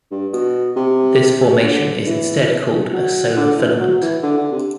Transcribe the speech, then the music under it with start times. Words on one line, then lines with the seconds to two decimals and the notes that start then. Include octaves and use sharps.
This formation is instead called a solar filament.
0.11 G2
0.33 B2
0.76 C3
1.63 D3
2.07 E3
2.93 F#3
3.36 D3
3.58 E3
3.79 F#3
4.02 E3
4.23 D3
4.37 D3
4.52 C3